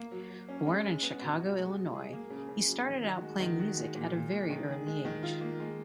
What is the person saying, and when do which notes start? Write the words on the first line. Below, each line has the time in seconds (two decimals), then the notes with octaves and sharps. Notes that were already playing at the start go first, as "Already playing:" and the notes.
Born in Chicago, Illinois, he started out playing music at a very early age.
Already playing: A#3
0.11 F#3
0.30 F#3
0.48 C#4
0.67 G#3
0.85 G#3
1.03 B3
1.21 B2
1.40 F#4
1.58 G#3
1.76 F#3
1.94 G#4
2.13 A#3
2.30 C#3
2.49 C#3
2.67 F#3
2.86 D#3
3.04 F#4
3.22 G#3
3.40 D#3
3.59 F#4
3.77 G#3
3.95 A#2
4.13 A#2
4.32 G#3
4.50 D#3
4.69 G#4
4.87 G#3
5.05 D#3
5.23 F4
5.41 A#3
5.60 G#3